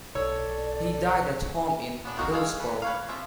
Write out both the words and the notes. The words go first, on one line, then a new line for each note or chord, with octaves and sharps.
He died at home in Hillsborough.
B1 A4 C#5 D5 E6
B3 D4
C4 D#4 F#4 G#4 A#4
G#3 G#4 A4 F5
A3 B4
B4 C#5 F5
F3 C4 E5